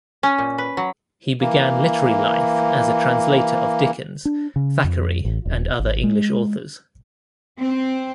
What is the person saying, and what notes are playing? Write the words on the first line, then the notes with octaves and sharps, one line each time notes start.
He began literary life as a translator of Dickens, Thackeray, and other English authors.
C#4
A#2
B4
F#3
E3 A#3
D4
C#3
F2
A1
D#1
G#1
G#3
C4